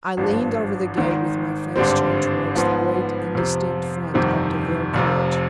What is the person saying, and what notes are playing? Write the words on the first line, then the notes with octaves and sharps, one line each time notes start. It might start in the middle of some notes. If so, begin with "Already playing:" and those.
I leaned over the gate with my face turned towards the great indistinct front of Deville Court.
G#1 G2 F3
G#1 G#2 D#3
G#1 G2 D3 G3 C4
G#2 F3 B3
F2 C3 F3
G1 F2 C3 D#3 G3
F1 F2 C3